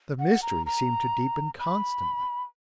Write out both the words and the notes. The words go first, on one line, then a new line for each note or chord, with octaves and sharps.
The mystery seemed to deepen constantly.
F#5
A#5
A#5
B5